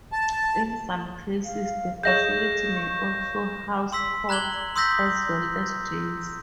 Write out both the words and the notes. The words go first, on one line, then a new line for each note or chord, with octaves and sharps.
In some cases, the facility may also house courts as well as jails.
A5
F5
G#4 C#5 D#5 F5 G6 A#6 E7
C#6
C6 E6 B6
A#5 F#6 G#6 F#7 G7
C6 D#6 E6 G6 A#6 B6